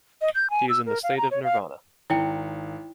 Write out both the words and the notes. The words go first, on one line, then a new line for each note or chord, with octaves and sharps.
He is in the state of Nirvana.
D#5
G6
G#5
E6
A#4
F5
A#5
C#5
F5
G#1 E4 G5